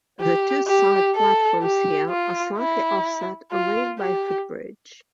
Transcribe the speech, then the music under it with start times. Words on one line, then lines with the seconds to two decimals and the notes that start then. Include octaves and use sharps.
The two side platforms here are slightly offset and linked by a footbridge.
0.21 G4
0.68 G4
1.16 A4
1.63 G4
2.10 F4
2.58 E4
3.52 F4
3.99 G4